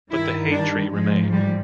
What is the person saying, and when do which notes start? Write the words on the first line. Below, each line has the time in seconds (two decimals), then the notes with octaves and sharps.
But the Hay Tree remained.
0.11 G2 D#3 G3 E4
0.51 D4
0.92 G#2 F3 G#3
1.33 G3